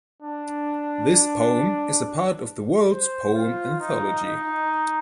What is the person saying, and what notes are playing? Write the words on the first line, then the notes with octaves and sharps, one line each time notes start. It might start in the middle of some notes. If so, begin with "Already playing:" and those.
This poem is a part of the world's poem anthology.
D4
C5
F4
D#4
D#4